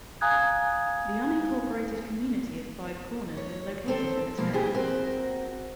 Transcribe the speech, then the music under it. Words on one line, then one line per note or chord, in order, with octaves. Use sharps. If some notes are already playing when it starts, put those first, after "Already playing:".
The unincorporated community of Five Corners is located in the town.
F5 G#5 A#5 D#6 F#6 G#6
C#5
D#2 C4 A4
B2 F3 A#3
E3 C4 G4 G#4
C4 F#4 A#4